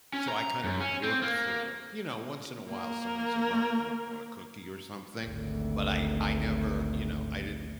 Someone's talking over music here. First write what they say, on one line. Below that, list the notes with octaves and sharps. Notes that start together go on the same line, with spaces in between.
So, I, kinda, would work through it, you know, once in a while, someone would say, "Ron, you want you want a cookie or something?" But I I never, you know, I didn't
C#4
A#5
F#2
C#4
C4
A#3
A#3 A#4
G#1 D2